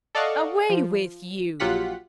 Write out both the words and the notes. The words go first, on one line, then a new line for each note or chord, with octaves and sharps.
Away with you!
A4 D5 D#5 F5 F#5 C#6
F3
A#1 F#3 F4 G4 F#5 B6